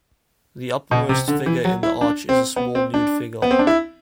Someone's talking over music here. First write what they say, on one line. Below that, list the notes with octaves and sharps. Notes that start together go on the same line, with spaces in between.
The uppermost figure in the arch is a small nude figure.
B2
C3
D3
E3
F#3
E4
D4
C4
B3
C4
D4
B3
C4
D4
E4